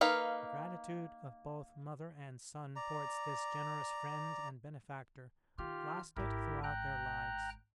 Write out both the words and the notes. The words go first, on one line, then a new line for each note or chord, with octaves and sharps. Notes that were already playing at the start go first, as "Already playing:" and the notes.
The gratitude of both mother and son towards this generous friend and benefactor lasted throughout their lives.
A#3 D#4 B4 F5
D5 A#5
D#3 F4 G4 F6
G#1 G#3 E4 G4 A#4
G5 A#5 F#6